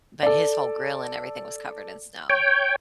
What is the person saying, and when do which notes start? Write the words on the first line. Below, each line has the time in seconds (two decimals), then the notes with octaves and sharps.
But his whole grill and everything was covered in snow.
0.23 A4 D5
2.30 C#5 G5